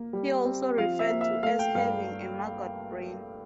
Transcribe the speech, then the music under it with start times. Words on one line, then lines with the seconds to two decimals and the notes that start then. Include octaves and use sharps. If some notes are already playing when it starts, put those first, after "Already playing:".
He is also referred to as having a "maggot brain".
Already playing: A#3
0.13 G3
0.45 C4
0.77 F3 F5
0.99 E5
1.10 A#3
1.21 E5
1.43 A3 F5
1.59 G5
1.75 G2 F5